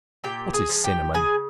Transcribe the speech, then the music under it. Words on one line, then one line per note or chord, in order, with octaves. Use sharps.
What is Cinnamon?
A#2 G4 G5
G#4 G#5
F3 G#3
G4 G5
C#3 G#4 G#5